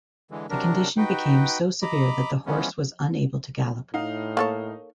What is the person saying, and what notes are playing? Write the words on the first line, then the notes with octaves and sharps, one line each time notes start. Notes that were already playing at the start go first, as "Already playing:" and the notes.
The condition became so severe that the horse was unable to gallop.
D3 E3 G#3
C3 F#3 D4 A#4
D#4 F#4 B4 G5
D#5 A#5 B5 D6
E3 F3 G#3 B3 C#4
A2 D#4 F5
A#3 A4 C#5